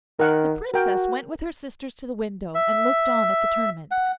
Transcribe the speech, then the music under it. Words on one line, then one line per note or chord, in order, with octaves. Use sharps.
The Princess went with her sisters to the window and looked on at the tournament.
D#3 A#4 F#5
F#4 A#4 G5
E5
F#5